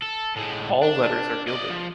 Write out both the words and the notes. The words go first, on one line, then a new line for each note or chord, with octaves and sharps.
All letters are gilded.
A4
A2 G#3
D4
D5 D#5
F3